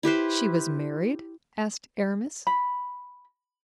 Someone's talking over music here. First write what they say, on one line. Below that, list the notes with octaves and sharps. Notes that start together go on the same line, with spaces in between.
"She was married?" asked Aramis.
E4 G4 B4 C5
B5